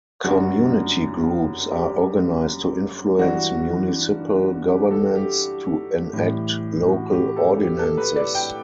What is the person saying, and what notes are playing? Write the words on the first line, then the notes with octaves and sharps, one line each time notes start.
Community groups are organized to influence municipal governments to enact local ordinances.
F#2 D3 G3 F#4
G4
G2 E3 G3 F#4
G4
A4
G4
A2 E3 G3
F#4
G4
A4
G4
A4
B4
D5
G5